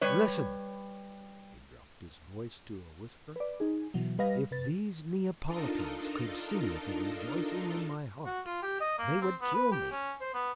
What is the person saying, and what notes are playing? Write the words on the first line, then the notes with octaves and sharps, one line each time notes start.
Listen," he dropped his voice to a whisper: "if these Neapolitans could see the rejoicing in my heart, they would kill me.
G3 B4 C#5
B4 D5
D#4 G#4
B2 E3 F#3
G3 B4 D#5 F5 A#6
C3 B4 A6
D4 D#4 F4 A4 A#4 D#5
F#4
F4
G4
D#5
A#3
C4
B3
B4
G4
C#4
C5
B3